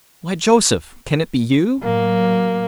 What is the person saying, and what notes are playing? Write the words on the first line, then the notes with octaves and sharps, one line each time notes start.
"Why, Joseph! can it be you?"
A2 F#3 A#3